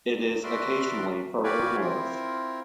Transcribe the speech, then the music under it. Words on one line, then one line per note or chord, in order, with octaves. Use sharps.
It is occasionally farther north.
F#4 A#4 B4 D5 E5 C6
F#4 G4 B4 D5 F5 G#5
C4 E4 F4 A#4